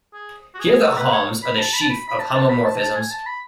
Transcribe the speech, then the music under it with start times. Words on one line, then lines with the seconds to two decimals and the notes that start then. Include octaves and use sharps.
Here the "Hom"'s are the sheaf of homomorphisms.
0.13 G#4
0.54 F#4
0.59 G#4
0.82 A4
0.97 B4
1.12 C#5
1.43 B5
1.58 A5
1.74 B5
1.81 A5
1.89 B5
2.08 B5
2.19 A5
2.34 A5
2.49 B5
2.65 A5
2.80 A5
2.96 G#5
3.11 A5
3.26 B5